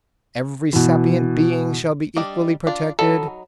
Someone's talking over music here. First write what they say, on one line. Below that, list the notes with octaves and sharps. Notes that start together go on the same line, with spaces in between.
Every sapient being shall be equally protected....
B2 E3
G3 D4 D#5
D4 F4
F#3 D#4 A4 B5